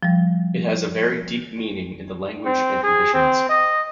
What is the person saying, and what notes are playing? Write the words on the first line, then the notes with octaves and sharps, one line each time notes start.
It has a very deep meaning in the language and traditions.
F3 G3
C4
G#4
C4
D#5